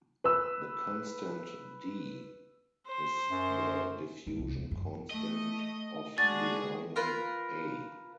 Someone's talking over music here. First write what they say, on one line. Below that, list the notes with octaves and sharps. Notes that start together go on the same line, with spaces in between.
The constant "D" is the diffusion constant of the ion A.
B4 E6
C5
F#2
G#2
C2
E2
F#2
A3 D#5
G#3 D4 F#4 G#4 A6
F4 A#4 B4